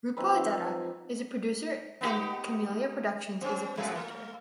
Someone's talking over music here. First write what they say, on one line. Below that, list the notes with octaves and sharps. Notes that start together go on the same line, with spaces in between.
Rupa Dutta is the producer and Camellia Productions is the presenter.
F3 C4 D#4 B4
B3 D#4 G4
B3 C#4
F#2 B2 G#3
A3